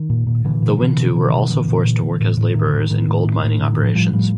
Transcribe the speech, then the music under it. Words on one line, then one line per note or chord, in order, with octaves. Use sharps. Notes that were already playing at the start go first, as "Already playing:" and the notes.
The Wintu were also forced to work as laborers in gold mining operations.
Already playing: D#3
A#2
A#2
A#2 D3 E3
A#2
B2 D3 E3
B2
B2 D3 E3
D3 E3
B2 D#3
A#2 D3 E3
A#2
A#2
A#2
A2
A2
A2 D#3
D3
A2
D#3
A2 D#3
A2
A2
A2
A2 D3
D#3
A2
D#3 F3
A2 F3 G3
A2 F3 G3